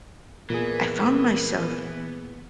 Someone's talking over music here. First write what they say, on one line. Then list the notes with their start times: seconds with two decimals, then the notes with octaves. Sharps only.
I found myself
0.50 A#2 E3 A#3 B3 G#4 A#4